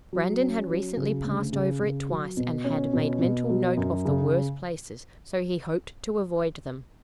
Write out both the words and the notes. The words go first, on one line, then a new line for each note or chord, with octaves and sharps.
Brandon had recently passed over it twice, and had made mental note of the worst places, so he hoped to avoid them.
F#3
C#4
F#3
C#3
D2
C#3
C#3
F#3
B2
C#4
B2
B2
F#3
F#2
C#3